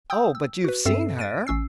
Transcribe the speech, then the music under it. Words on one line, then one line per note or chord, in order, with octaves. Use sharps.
"Oh, but you've seen her."
G5 D#6 E6 G6
E6
F#4 B4
G2 C4 A4 E5 E6 C7
A6 D7 D#7
A1 C#4 E6 C7